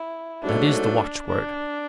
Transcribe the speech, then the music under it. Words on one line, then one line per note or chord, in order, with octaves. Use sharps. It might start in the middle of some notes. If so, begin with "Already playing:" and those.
That is the watch-word.
Already playing: E4
G#2 F#3 A3 D4
D4